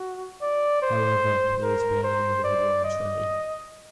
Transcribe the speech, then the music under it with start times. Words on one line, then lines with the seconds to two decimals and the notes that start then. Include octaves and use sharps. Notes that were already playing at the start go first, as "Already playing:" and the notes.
However, there was barely any worldwide trade.
Already playing: F#4
0.42 D5
0.82 C5
1.63 A#4
2.03 C5
2.44 D5
2.84 D#5